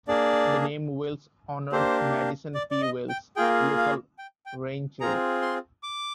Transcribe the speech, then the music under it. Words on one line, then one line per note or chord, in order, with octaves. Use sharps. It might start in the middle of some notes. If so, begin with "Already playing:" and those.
The name Wells honored Madison P. Wells, local rancher.
A#3 D4 G#4 D5
A#3 D4 G4 C5
D5
D5
D#5
G5
A#3 F4 G#4 G5
F5
G5
G5
C4 F4 G#4 A#5
C6
D6